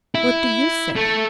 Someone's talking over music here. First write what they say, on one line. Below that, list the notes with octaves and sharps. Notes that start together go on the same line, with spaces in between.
What do you say?'
E4
A3